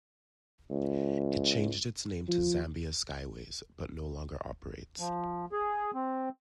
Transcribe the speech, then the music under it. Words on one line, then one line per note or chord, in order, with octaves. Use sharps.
It changed its name to Zambia Skyways, but no longer operates.
C#2
F3
F3
G#4
C4